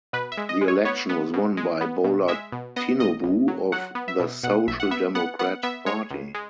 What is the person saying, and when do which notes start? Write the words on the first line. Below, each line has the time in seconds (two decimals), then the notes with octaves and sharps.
The election was won by Bola Tinubu of the Social Democratic Party.
0.13 B2 B4
0.32 E5
0.38 G#3
0.49 D#5
0.61 G#3
0.68 C#5
0.85 B3 C#5
1.09 B3
1.33 B2
1.57 G#3
1.81 B3
2.04 B2
2.28 G#3 E5
2.52 B2
2.76 B3 D#5
3.00 B1 D#5
3.23 B1
3.48 F#3
3.72 F#3 F#5
3.95 B3
4.08 E5
4.20 B2
4.43 B2 F#5
4.67 B1 E5
4.80 F#5
4.91 B3 E5
5.15 B3 F#5
5.39 B3 F#5
5.63 B3 E5
5.86 G#3 C#5
6.10 C#2
6.34 G#3